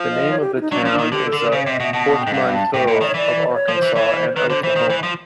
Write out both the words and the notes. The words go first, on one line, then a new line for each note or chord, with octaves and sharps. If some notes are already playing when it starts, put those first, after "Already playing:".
The name of the town is a portmanteau of Arkansas and Oklahoma.
Already playing: F3
D#5
C#5
G4
E4
D#4
F#3 D4
F3 C#4
D4
D#3 D#4
D3 G4
A4
D3
A#4
C#3 C5
C3 C#5
D#5
B2 E5
B2 A5
A5
G5
G#2
G2 F#5
A5
A2 G5
A#2
D#5
D#3 D5
C#5
E3 D5
C5
C#5
F3
C5
E3
E3 C#5
C5
D#3 B4
D3 C5
E3 C5
D#3
E3
F3